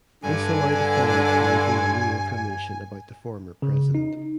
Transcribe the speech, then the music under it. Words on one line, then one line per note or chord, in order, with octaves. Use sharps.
This allowed the film to reveal new information about the former president.
G2 D3 G#5
C#3
D#4